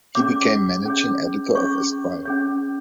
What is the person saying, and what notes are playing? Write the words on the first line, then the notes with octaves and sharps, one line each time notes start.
He became managing editor of "Esquire".
C#4 G#4 C#5 D6
C#4 G#4 C#5
C#4 G#4 C#5 C#6
C#4 G#4 C#5